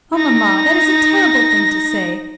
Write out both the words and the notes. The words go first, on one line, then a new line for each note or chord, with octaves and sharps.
Oh, mamma, that is a terrible thing to say.
D#4 A#6